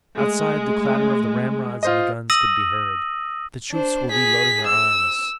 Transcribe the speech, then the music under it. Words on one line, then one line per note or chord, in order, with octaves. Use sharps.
Outside, the clatter of the ramrods in the guns could be heard; the troops were re-loading their arms.
G#3 A3
F4 C5 D#5
D#6 E6 A#6 D#7 F#7
D4 C5
G#4 B6
E6